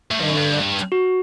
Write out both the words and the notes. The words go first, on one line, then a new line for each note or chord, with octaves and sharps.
Bell et.
A2
G2
F#2
G2
F#4